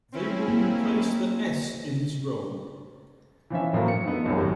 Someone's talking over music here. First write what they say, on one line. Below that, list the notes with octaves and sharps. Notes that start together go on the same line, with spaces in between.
They will replace the s in this role.
C4 C#4 E4
A#3
E3 F3 C#4 E5
A2 F3 F#3 A#3
C#7
A3 B3 D#4
E1 C2 F#2
G#1 F#3 G4